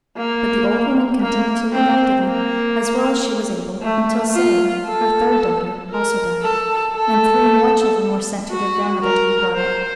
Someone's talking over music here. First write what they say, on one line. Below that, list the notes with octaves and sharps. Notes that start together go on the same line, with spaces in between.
But the old woman continued to look after them, as well as she was able, until Sarah, her third daughter, also died, and three more children were sent to their grandmother to be brought up.
A#3
A#3
C4
A#3
A3
F4
A4
A#4
A4
A4
F#4
A#4
C5